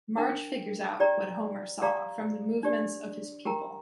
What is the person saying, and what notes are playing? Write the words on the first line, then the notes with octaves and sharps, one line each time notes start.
Marge figures out what Homer saw from the movements of his pupil.
D4 A#4 G5
G4 D5 G5 A#5
G4 D5 F5 A#5
D4 G4 D5
G4 A#4 G5 A#5